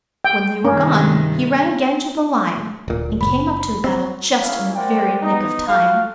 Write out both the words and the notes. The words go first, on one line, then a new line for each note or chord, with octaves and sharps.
When they were gone, he ran again to the lime, and came up to the battle just in the very nick of time.
G5
G2 C3 D#3 C#4
D1 A#2
F#1 B5
C4
G#3 A#3 C#4 E4 E5 F5
A#4 C5 D5 F#5 G5
B3 D#4
F4 F#4 A4 F5